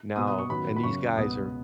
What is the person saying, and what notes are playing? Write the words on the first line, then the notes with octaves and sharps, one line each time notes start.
now, and these guys are
B2 B3 D#6
D#6
C#6
F#2 D#3 F#3 B3 B5
B5
F#2 C#3 B3 C#6
C#2 B2 B3 D#6